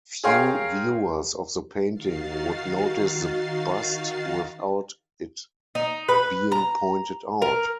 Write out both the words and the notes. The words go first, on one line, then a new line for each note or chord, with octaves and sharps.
Few viewers of the painting would notice the bust without it being pointed out.
G#4 A#4 C#5 F5 G5 C6
D#3 D#4 F#4 F5 A6 C7
D#4
B4
A#5
A#4